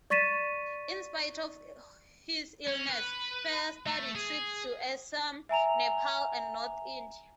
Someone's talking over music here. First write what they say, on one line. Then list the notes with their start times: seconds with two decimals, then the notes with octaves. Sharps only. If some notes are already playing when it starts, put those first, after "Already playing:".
In spite of his illness, further study trips to Assam, Nepal and North-India.
0.10 D5 C#6 A6 B6 D#7 E7
2.67 C#4
2.90 B4
3.87 A3
4.15 G#4
5.49 E5 G#5 A#5 F7